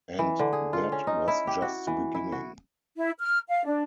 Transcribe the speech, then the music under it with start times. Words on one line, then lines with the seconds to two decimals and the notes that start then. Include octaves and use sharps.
And that was just the beginning.
0.19 E3
0.39 D3
0.52 G#4
0.73 F4
0.92 C#4
1.07 D#4
1.28 E4
1.47 G4
1.62 F#4
1.87 E3
2.14 E4
2.32 F#4
2.96 E4
3.19 F6
3.47 F5
3.65 D4